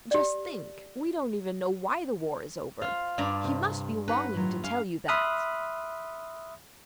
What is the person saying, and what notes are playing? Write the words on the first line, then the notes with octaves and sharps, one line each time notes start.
Just think--we don't even know why the war is over--he must be longing to tell you that.
G4 D5
F4 C5 F5
G2 D5 A#5
C3
C#4 D#4 B4 F#5
A2 F#3 F4
C#4 F5
E5 B5 C6 D#6 F6 F#6